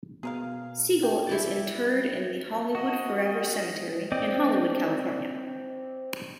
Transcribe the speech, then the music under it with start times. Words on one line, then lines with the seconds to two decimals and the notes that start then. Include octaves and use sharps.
Siegel is interred in the Hollywood Forever Cemetery in Hollywood, California.
0.23 B2 G#4 A#4 F5
1.02 G#3 G5
1.27 E4 G4 D5
2.75 F#4 D#5
4.12 C4 D5 D#5